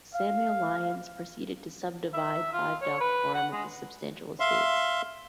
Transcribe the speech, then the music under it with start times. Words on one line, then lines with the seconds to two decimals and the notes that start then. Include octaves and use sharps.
Samuel Lyons proceeded to subdivide Five Dock Farm into substantial estates.
0.14 F5
2.14 E5
2.53 F4
2.81 C#5
3.00 B4
3.35 F#5
3.52 G#3
4.40 E5 F5 C6